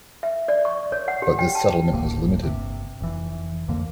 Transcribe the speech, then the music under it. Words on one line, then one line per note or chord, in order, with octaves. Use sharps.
But this settlement was limited.
E5
D5
C#6
C#5
F#5
G4
G5
A5
D#1 A1 D2 A#3
G1 C3
F1 E3
C2 F2 D3 A#3